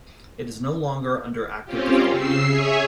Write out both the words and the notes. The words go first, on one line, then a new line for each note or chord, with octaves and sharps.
It is no longer under active development.
C4 C#4 F4 G4
C#3 E6 C7
G#4 C#5 E5 G#5